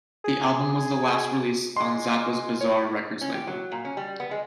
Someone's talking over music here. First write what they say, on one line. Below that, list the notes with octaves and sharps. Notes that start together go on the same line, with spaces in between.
The album was the last release on Zappa's Bizarre Records label.
G#4
G#3 C6
C#5
C#4
G4
F#3
A#2
C#4
G3
B3
G#3